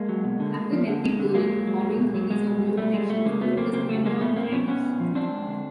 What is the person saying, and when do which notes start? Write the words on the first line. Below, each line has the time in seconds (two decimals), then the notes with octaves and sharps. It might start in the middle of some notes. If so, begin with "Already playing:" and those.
After lengthy touring following the release of "New Erections", The Locust went on hiatus.
Already playing: G#3 A#3
0.09 F#3
0.24 B2
0.40 D3
0.56 G#3
0.72 F3
0.88 D3
1.04 G#3
1.19 D3
1.35 F#3 G#3 A#3
1.51 F#3
1.67 F#3
1.82 F#3
1.98 B2
2.14 F#3
2.30 B2 G#3
2.47 G3
2.62 B2
2.77 G3 A3
2.93 G3 G#3
3.10 B2 A3
3.26 C#3 G#3 A#3
3.41 C#3 A3 B3
3.57 F#3 A#3 C4
3.73 C#3 A#3 C4
3.89 C#3 A3
4.05 F#3 G#3 A#3
4.21 A#2 A3 B3
4.36 A#2 A#3 C4
4.52 F3 B3 C#4
4.68 A#2 B3 C#4
4.85 A#2
5.00 F3
5.15 F3 C4 D4
5.32 G#3
5.47 D3